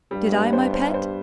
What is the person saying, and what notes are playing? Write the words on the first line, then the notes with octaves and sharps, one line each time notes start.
"Did I, my pet?"
G2 G3
B3
C5
C5
C5